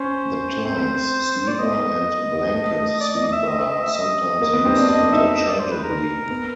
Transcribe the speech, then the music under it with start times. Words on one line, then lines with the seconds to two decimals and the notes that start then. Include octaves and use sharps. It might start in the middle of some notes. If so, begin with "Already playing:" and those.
The terms "sleeper" and "blanket sleeper" are sometimes used interchangeably.
Already playing: C#4 C5
0.65 C4
1.48 D5
1.59 B3 D#5
2.53 A3
3.00 D5
3.16 D#5
3.27 D#5
3.32 E5
3.47 D#5
3.59 E5
3.71 D#5
3.83 E5
3.95 D#5
4.42 A#3
4.53 B3
4.65 C4
4.77 D4
4.88 D4 D#5
5.12 D#4 E5
5.36 D#5
5.48 D5
5.59 C5
5.71 B4
5.83 A#4
6.30 B3